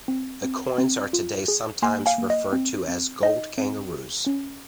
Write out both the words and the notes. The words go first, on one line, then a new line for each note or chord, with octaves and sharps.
The coins are today sometimes referred to as "gold kangaroos".
C4
C4
C4
F4
G#4
A#3 G#5 C6
F5 G#5
A#3
D#5
C4
C4
D#4 D#5
C4
G#4
C#4